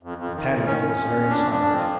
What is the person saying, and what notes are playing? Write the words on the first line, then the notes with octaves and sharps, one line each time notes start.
The patio was very silent.
F2
F2
D#3
F2
D#3 C#4
F2
F2
F2
F2 D4
F2
D4
F2
C4
F3